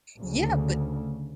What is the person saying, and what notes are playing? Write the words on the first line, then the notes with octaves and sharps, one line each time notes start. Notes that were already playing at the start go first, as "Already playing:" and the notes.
Yeah, but
D2 C#3